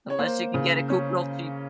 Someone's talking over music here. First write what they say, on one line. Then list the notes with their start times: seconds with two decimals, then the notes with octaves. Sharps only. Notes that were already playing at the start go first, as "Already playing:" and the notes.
unless you can get a coop real cheap.
0.10 C#5
0.19 A#3 C5
0.54 C#3
0.90 C#4